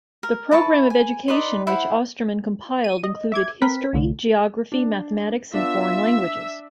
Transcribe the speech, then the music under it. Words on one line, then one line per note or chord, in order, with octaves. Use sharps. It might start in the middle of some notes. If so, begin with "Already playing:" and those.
The program of education which Ostermann compiled included history, geography, mathematics, and foreign languages.
A#4
E4 B4 A5 C#6
G#5
D#4 B4 D5 C6
E4 C5 F#5
D#7
D#5
E5 D6 G#6
C4 A#4 B4 B6
C2 A2 D3
D4
B3 D4 F4 E5